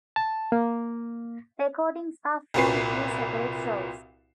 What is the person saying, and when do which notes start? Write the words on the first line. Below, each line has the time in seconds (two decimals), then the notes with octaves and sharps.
Recordings are from three separate shows.
0.16 A5
0.52 A#3
2.54 C2 A#2 F#4 B4 C7